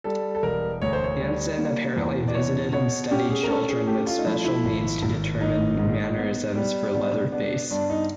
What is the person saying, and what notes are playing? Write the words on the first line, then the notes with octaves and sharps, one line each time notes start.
Hansen apparently visited and studied children with special needs to determine mannerisms for Leatherface.
G3 A4
A4
E1 A#4
D2 C#5
C5
C#5
G3
A#3
E2
D5
B2 C#5
B2 C#5
C#4 G4
G#4
A#4
C#4 A4
G#4
A3 G4
F4
D#4
F3 E4
E4
G#1
G#1
G#1 D#4
G#2
B3
G3
B3 D4
B3 D4
G2 D4
D#4